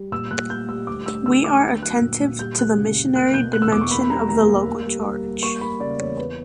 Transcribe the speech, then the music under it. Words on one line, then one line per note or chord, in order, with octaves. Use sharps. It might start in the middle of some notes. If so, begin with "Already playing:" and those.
We are attentive to the missionary dimension of the local Church.
Already playing: G3
A#2 E6
A#2 F#6
G3 G6
G3 E6
D2 D6
D2 E6
D3 E6
D2 D6
B3 G5
F#3 F#6
A#2
A#2
G3 G6
D2 F#6
C#3
D2
A#3 F#6
B2 G6
A#3 F#6
E6
E2 D6
C#6
A#3 B5
B5
G3 A#5
D2 A#5
A#3
A#3
G3
G3
G3
A#3 C#6
A#3 B5
C#3 D5
E2 C#5
B3 B4